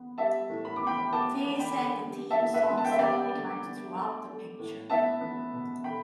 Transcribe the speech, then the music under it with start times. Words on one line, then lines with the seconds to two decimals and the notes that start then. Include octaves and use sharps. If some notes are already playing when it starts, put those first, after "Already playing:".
Fay sang the theme song several times throughout the picture.
Already playing: B3
0.18 G3 E5 A5
0.49 A2
0.65 B5
0.76 B3 D6
0.87 G5 B5
1.12 B3 A5 D6
1.44 B3
1.59 G5 B5
1.75 D3
2.07 G3
2.30 E5 A5
2.38 A2
2.54 B4 E5
2.69 B3
2.77 A5
2.85 G5
2.91 E5
2.99 G3 D5 G5
3.33 D3
3.64 B3
3.95 A3
4.27 A3
4.59 A2
4.90 B3 E5 A5
5.21 B3
5.53 B2
5.84 A3 G5 B5